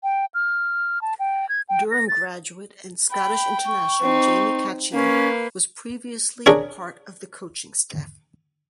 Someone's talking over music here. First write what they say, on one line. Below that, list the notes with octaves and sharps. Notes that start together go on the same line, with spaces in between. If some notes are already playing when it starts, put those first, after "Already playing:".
Durham graduate and Scottish international Jamie Cachia was previously part of the coaching staff.
G5
F6
A5
G5
G#6
G5
A#6
A6
G5 B5
C#6
C4 D#4
A#3 C#4 B4
D4 G#4 A#4 C#5